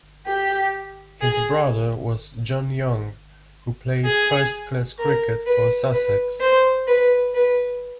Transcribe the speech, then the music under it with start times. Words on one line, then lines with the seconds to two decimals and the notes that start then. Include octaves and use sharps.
His brother was John Young, who played first-class cricket for Sussex.
0.27 G4
1.21 G#4
4.05 G#4
4.99 A#4
5.46 B4
5.93 B4
6.41 C5
6.88 B4
7.35 B4